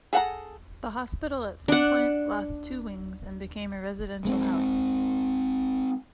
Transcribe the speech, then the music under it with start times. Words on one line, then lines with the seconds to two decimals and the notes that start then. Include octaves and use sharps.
The Hospital at some point lost two wings, and became a residential house.
0.13 G#4 A4 F#5 G5 A#5
1.68 D4 F#5
4.25 G#3 B3 C4